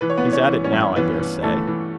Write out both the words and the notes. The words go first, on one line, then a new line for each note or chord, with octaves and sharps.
He's at it now, I daresay.
E3 B4
C#5
B3 B4
E3
C#4 C#5
E3
C#4 C#5
G2
E3 B3 B4
E3
E3 A3 A4
E3